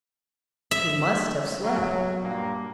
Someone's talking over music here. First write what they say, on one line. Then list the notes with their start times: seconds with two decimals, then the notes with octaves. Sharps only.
He must have slept.
0.71 E5
1.63 F#3
2.21 G2 A#2 A#3